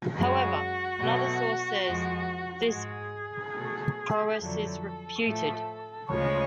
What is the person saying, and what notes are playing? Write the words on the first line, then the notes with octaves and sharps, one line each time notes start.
However, another source says this prowess is "reputed".
F#2 C#3 G#3 F#4
B2 F#3 A3
F2 F3 G#3
G#2 G#3 G#4
B2 F#3 A3
F2 D3 F#3 A3 A4
A2 F3 A3
D2 C#3 F3 G#3 C#5